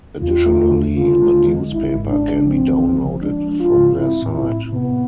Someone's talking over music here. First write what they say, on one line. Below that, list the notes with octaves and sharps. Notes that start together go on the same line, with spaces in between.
Additionally, the newspaper can be downloaded from their site.
E2 F4
A3
D3
D3 F4
G#3
G#3
G#1 E4
G#2
D4
G#1
F3 C4
D3
F3
G#3 D4
G#3
F4
G#2
C4 E4
A2
E4
A2
C3 B3